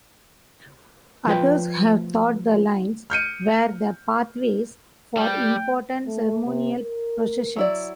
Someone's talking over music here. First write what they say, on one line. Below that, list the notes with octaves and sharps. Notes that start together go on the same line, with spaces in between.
Others have thought the lines were the pathways for important ceremonial processions.
F3 F4 B4 G5
F6 G6 C#7 D#7
G3 G5
A3
C3
A#4
F#3 E4 D5